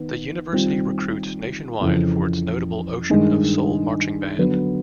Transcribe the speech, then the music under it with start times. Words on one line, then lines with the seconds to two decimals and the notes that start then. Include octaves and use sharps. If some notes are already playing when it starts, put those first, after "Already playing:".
The university recruits nationwide for its notable Ocean of Soul marching band.
Already playing: D#3 B3
0.53 D#3 G3 C4 F4
1.81 F2 C#3 E3
3.10 G2 D#3 G#3
4.38 D3 F#3 B3